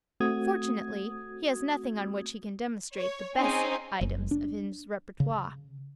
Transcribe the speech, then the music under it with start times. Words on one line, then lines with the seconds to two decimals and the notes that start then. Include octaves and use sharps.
Unfortunately he has nothing on which he can demonstrate the best items of his repertoire.
0.20 A3 C4 F#4 D#6 G#6
2.97 C#5
3.36 C4 C#4 D#4 G#4
4.01 F#1
4.31 D4
5.20 C#3